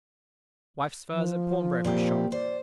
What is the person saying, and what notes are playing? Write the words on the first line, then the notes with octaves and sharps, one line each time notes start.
Wife's furs at pawnbroker's shop.
F3
A#2 C4 G4
C5 D5